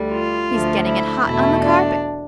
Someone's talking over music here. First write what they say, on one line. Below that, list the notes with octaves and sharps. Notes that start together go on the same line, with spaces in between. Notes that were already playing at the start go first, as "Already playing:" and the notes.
'He's getting it hot on the carpet.'
Already playing: D2 D3 G3
F4
D2 D3 F3 A3
E4
E2 B2 A3 E4
D4